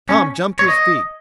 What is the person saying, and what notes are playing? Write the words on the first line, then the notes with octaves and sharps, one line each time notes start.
Tom jumped to his feet.
C#4
C#5
D#5